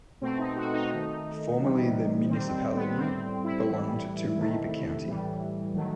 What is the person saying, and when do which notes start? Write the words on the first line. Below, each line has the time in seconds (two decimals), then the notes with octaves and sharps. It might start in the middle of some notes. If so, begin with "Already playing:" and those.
Formerly the municipality belonged to Ribe County.
0.21 B2 A3 C4
0.39 D#4
0.56 F#4
0.74 D#4
0.91 D#3 A3 D#4
1.60 C3 E3 G3
2.29 D#3 G3 C4
2.52 C4
2.75 B3
2.98 A2 G3 C4
3.44 E4
3.67 A2 E3 G3
4.36 C3 D#3 A3
5.06 A2 E3 G3
5.75 D#3 F#3 A3